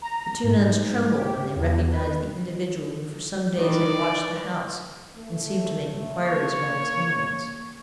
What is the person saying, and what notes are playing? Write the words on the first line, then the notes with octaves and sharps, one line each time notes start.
The two nuns trembled when they recognized the individual who for some days had watched the house and seemed to make inquiries about its inmates.
A#5
G#2
G#2
G4
E2
B4
D#3 E3 B4 D5
A3
A#3 C#5